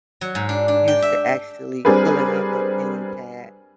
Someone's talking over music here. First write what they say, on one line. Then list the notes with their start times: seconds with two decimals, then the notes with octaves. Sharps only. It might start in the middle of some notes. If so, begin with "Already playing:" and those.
used to actually pulling out that pen and pad.
0.21 F#3
0.35 G#2
0.49 D4
0.68 D4
0.88 G5
1.02 E5
1.85 G3 C4 D4 G#4 A#4 B4